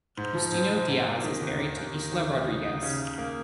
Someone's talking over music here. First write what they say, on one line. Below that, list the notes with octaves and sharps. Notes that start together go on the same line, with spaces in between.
Justino Diaz is married to Ilsa Rodriguez.
G#2
F3
G#2
G#2
G#2
A#3
D#3
D#2
D#2
D#2
D#3
D#2
C#3
D#4
D#4
C#3
C#3
A#3